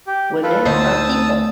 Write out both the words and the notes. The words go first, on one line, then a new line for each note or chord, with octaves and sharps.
Women are people.
G4
F4 A4 B4
D2 D#4 C5 A5 D#6 E6